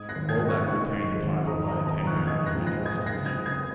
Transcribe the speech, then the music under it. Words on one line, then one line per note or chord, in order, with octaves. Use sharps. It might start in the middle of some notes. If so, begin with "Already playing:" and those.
Hallback retained the title by a ten round unanimous decision.
Already playing: G#2 D#6 G#6
F#6 A#6
G#1
D#6 G#6
G#2
C#6 F#6
D#3 C#6 F#6
G#2
G#1
G#2 A#5 D#6
A#5 D#6
D#3
A#5 D#6
A#1
C#6 F#6
G#2 D#6 G#6
F#6 A#6
A#1
F#6 A#6
G#2
D#6 G#6
F#1 F#6 A#6
D#6 G#6
F#1
D#6 G#6